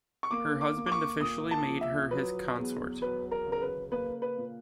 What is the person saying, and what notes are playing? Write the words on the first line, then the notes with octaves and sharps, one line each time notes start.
Her husband officially made her his consort.
C#6
A#3 D6
D6
A#3
D6
C#6
A#2 D#6
A5
F3
E5
F#3 B4
E2
F#3 B4
A#4
C#3
A#4
B4
A#3 B4
B4
A#2